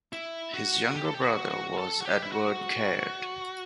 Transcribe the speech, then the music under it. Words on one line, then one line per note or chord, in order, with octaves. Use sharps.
His younger brother was Edward Caird.
E4
F#4
G4
A4
G4
F#4
F#4
A4
F#4
G4
E4
F#4